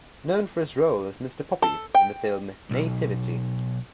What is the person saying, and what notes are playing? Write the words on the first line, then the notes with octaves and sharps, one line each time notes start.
Known for his role as Mr Poppy in the film "Nativity!".
A4
G5
B1